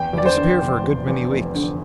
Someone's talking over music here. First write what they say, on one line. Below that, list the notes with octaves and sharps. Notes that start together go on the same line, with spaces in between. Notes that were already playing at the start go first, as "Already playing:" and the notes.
He disappeared for a good many weeks.
Already playing: E2 G5
E2 D5
C5
D3
F1
E2
E2
F1
D3